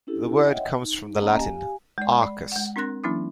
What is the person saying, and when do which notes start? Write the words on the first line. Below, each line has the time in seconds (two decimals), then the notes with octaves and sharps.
The word comes from the Latin "arcus".
0.07 C#4 D4 E4 G4 A4
0.45 C#5 D#5 E5 F#5 G5
0.82 D#4
1.21 A#3 C#4 D#5 F#5 A5 A#5
1.38 G4 F5 G#5
1.98 G#3 D5
2.19 D5 B5
2.52 G#3 F#5
2.76 C4 D4 A#4 C6 F#6 A#6
3.04 E3 F#3 A#3 C#4 D4 E4